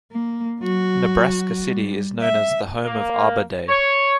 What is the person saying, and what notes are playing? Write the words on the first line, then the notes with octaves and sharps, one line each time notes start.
Nebraska City is known as "The Home of Arbor Day".
A#3
F#3 F#4
G3
E5
A#3
C#5